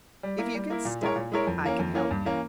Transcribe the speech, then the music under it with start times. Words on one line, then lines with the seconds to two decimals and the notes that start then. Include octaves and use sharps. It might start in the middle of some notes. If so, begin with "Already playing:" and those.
If you get stuck I can help you.
0.23 G3
0.38 A#3 E4
0.55 G3
0.70 A#3 E4
0.85 A#2
1.01 G#3 E4 A#4 C#5
1.16 A#2
1.32 G#3 E4 A#4 C#5
1.47 F2
1.63 E3 A#3 C#4
1.79 F2
1.94 E3 A#3 C#4
2.11 G2
2.25 E3 A#3 C#4